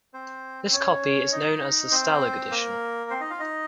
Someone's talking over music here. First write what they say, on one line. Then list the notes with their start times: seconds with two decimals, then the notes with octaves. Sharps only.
This copy is known as the "Stalag" edition.
0.14 C4 C5
0.65 C5
0.73 C#4 C#5
1.32 D#4 D#5
1.92 C4 C5
2.51 A#3 A#4
3.10 C4 C5
3.21 D#4 D#5
3.31 F4 F5
3.40 D#4 D#5